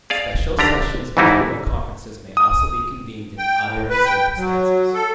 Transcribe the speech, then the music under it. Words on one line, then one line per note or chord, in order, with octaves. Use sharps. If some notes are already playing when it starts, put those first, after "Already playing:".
Special sessions of General Conferences may also be convened in other circumstances.
G#4 D5 F5
D3 D4 G4 A#5
F2 G#2 E3 G3 D#4 E4
D#6
G5
A2
B4
G5
F#3
A4